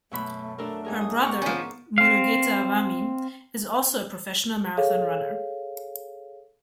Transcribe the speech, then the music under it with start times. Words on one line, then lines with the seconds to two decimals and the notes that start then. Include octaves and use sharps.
Her brother, Mulugeta Wami, is also a professional marathon runner.
0.11 F#2 B2 A3 B5
0.58 A3 D4 A4 A#4
0.84 G#2 G#4 A#4
1.01 D#6
1.22 B3 A#5 C#6 D6
1.42 F3 C#4
1.98 C4 F5
4.77 G#4 A4 C#5 F5